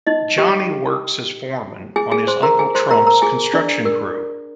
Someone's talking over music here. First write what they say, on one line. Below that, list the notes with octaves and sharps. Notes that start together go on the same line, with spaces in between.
Johnnie works as foreman on his uncle Trump's construction crew.
D#4 D#5
G4 G5
G#4 G#5
G#4 G#5
C5 C6
A#4 A#5
G#4 G#5
C5 C6
A#4 A#5
A#4 A#5
G#4 G#5
D4 D5
A#4